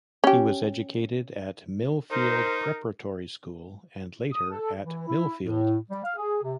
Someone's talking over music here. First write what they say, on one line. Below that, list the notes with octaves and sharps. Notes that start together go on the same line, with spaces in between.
He was educated at Millfield Preparatory School and later at Millfield.
C#4 G4
D#4 A#4 C5
D#6
A4
E3
E4
A2
G3
F5
G#4
C3